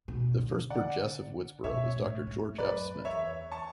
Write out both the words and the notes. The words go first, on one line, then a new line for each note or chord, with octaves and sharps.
The first Burgess of Woodsboro was Doctor George F. Smith.
B2
D3
D5 F#5
B2 C#5 E5
A2
A2
F#2 B4 D5
E2 C#5 E5
A5 C#6